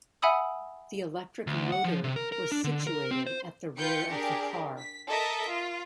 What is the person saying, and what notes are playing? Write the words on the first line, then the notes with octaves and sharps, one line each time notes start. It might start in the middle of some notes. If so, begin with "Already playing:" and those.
The electric motor was situated at the rear of the car.
E5 F#5 G#5 B5 D#6 E6
D2
F#5
F3
C3
A#4
A#4
D4
D3
A#4
C4
C5
F4 B4 G5 G6 C#7
D4 G4 G#4 A#4
B6
A4 A#4 D#5 E5
F4